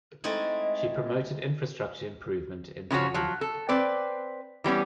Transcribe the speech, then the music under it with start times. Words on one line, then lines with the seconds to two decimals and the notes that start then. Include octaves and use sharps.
She promoted infrastructure improvement in Peru.
0.24 G#3 A3 C4 D#4 E4
2.91 C#3 F3 C4 F#4 C#5
3.14 F3 F#3
3.41 A4
3.69 C4 B4 D5
4.64 E3 G3 B3 C#4